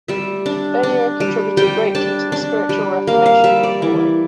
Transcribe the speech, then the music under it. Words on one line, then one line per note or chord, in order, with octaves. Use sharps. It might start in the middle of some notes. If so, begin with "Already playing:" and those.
Beyer contributed greatly to the spiritual Reformation in Norway.
G3 E5
D4
D4
G3
G3 G5
D4 A5
D4
G3
A#3 F5
F5
G3 E5
D5
E3